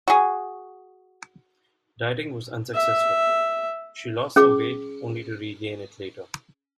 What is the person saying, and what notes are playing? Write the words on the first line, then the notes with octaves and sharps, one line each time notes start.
Dieting was unsuccessful; she lost some weight only to regain it later.
F#4 G#4
E5
C#4 G#4 D6